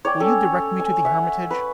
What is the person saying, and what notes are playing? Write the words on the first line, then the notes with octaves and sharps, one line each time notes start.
'Will you direct me to the Hermitage?
C#5 D5 G5
C#4 A4
G#5
E5 F#5
B4